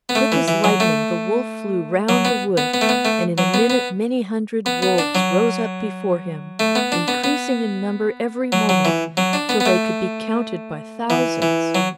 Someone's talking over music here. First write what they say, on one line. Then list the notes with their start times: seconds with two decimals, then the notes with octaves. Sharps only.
Quick as lightning the wolf flew round the wood, and in a minute many hundred wolves rose up before him, increasing in number every moment, till they could be counted by thousands.
0.09 B3
0.15 A3
0.32 E3
0.48 E3
0.64 F#3
0.80 A3
2.09 F#3
2.25 B3
2.57 B3
2.74 B3
2.81 A3
2.89 B3
3.05 A3
3.38 F#3
3.54 B3
3.70 B3
4.66 B3
4.82 B3
4.98 D4
5.15 F#3
6.60 A3
6.75 B3
6.92 D4
7.08 B3
7.24 B3
8.52 F#3
8.69 F#3
8.85 E3
9.17 F#3
9.33 D4
9.49 B3
9.60 B3
9.66 A3
11.10 E3
11.42 E3
11.75 F#3